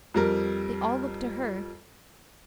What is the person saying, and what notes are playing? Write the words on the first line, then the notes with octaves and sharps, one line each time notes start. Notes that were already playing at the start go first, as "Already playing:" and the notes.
They all looked to her.
F2 G3 A#4